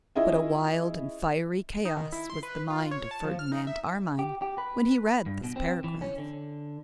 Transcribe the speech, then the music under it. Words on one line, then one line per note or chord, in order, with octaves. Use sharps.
What a wild and fiery chaos was the mind of Ferdinand Armine when he read this paragraph.
C#4 E4 F4 G#4 D#5 E5
D#4
D#3
E4
C6
B4
F4
C#5
A5
F3
F6
D#4
E5
G4
G4
B4
G2
B2
C4
E3
C#4
D3